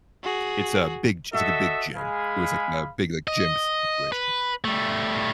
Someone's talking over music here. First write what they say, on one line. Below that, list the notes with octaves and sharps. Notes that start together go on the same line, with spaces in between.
It's a big g it's, like, a big gym, it was, like, a big, like, gym situation
F#4 G#4
F#4 A4 D#5 E5
G#3 G#4 F5 B5
D#5
B4
G3 A3